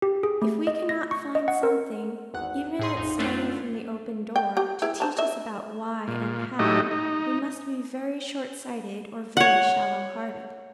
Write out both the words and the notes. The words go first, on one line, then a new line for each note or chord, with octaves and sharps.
If we cannot find something, even at starting from the open door, to teach us about Why and How, we must be very short-sighted, or very shallow-hearted.
G4
G#4
A3
D#5
A#6
C#6
D#5
F#5
A#4
G#1 E2 F#5 F#6
A2 G#4 C6
A#1 F2 D#4
F#2 D3 A3 C#4 D4 F4
G5
G4 G5
E4 G#4 B4
C5 A5 A#5
A#4 E5
A#2
A2 F#3 A3 D#4 G4 D#5
D#4
C#5 F#5